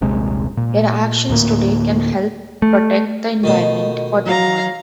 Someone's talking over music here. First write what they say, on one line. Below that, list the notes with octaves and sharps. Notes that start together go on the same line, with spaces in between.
Your actions today can help protect the environment for tomorrow.
D#1 A#1 C3 G#3
A#2
D2 A2 A#3
A3
B2 D#3 A3 D#4 F4 A5
F#3 F#4 F5 A#5